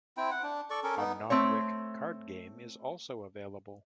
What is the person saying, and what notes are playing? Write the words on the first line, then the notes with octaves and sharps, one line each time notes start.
A "Nodwick" card game is also available.
C4 E4 G5
F#5
D4
A4 D5 C#6
C#4 A4 A#4
B3 D#4
A3 C4 C#5